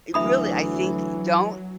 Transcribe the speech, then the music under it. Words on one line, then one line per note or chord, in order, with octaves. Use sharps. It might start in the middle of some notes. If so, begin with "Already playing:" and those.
eh really, I think, don't
D2 E3 F#3 E5 B5 D#6